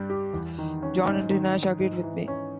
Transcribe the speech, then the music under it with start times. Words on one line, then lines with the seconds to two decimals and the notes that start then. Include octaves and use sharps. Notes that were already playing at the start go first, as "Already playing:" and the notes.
John Henry Nash agreed with me.
Already playing: G2 G3
0.10 G4
0.33 E2
0.58 D#3
0.83 C#4
1.07 G#2
1.30 D#3
1.55 D#4
1.80 G#2
2.03 E3
2.28 C#4